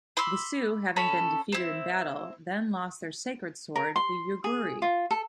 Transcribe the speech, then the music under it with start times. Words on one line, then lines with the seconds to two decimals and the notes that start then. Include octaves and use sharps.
The Sue, having been defeated in battle, then lost their sacred sword the Yugiri.
0.17 B5 C6 D6 E6
0.96 C#4 A4 B5
1.52 C4 E4
3.76 A#4
3.96 C6
4.44 G#4
4.82 F4
5.11 A4